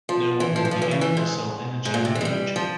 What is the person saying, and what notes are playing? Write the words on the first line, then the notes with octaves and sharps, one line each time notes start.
No one will be able to sell energy in the future.
F3
E3
F3
E3
F3
E3
C#3
E3
G#2
G#2
A#2
C3
E3
G#3
G3
F3